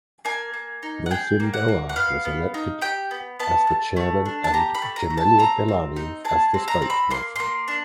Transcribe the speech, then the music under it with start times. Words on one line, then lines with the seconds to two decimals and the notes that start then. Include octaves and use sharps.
Mohsin Dawar was elected as the chairman and Jamila Gilani as the spokesperson.
0.25 A#3 G#5
0.53 A#3
0.83 D#4
1.06 F#5
1.11 G#4 G5
1.40 A#3
1.54 F#5
1.68 A#3
1.89 F#5
1.96 B3 F5
2.25 B3
2.54 D#4
2.81 G4 G5
3.11 B3
3.39 B3 A5
3.67 A3
3.96 A3
4.26 D4
4.44 A5
4.53 G4 A#5
4.75 B5
4.82 A3
4.96 A#5
5.10 A3
5.17 A5
5.39 C4 A#5
5.68 C4
5.96 D#4
6.25 G#4 A5
6.54 C4
6.68 A#5
6.82 C4
6.90 B5
7.10 A#3 C6
7.36 A#3 C6
7.68 D4